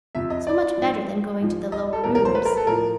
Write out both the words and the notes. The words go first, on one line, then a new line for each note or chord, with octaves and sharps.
So much better than going to the Lower Rooms.
F2 C3 F3 E5
D#5
D5
G#2 F3
G#2 F3
D#5
A4
E2 B2 G3 A#4
A#4
C5
B4
A#4
A4
A2 F3 A#4